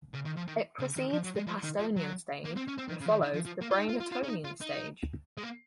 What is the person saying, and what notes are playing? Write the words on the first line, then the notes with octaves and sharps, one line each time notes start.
It precedes the Pastonian Stage and follows the Bramertonian Stage.
C#3
D#3
F3
D#3
C#3
D#3
F3
F#3
G#3
F3
D#3
F3
F#3
A#3
C4
C#4
C4
D#3
C#3
F3
D#3
D#3
F3
F3
A#3
F4
D#4
F4
F4
F4
C#4
D#4
F4
D#4
G#3
A#3